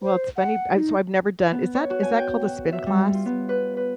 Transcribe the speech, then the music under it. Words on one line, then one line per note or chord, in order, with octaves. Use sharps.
Well, it's funny b so I've never done is that is that called a spin class?
C5
F#5
D#4
B3
C#5
F#4
G#5
G5
F#4
E5
G3
F4
B3
B4
B4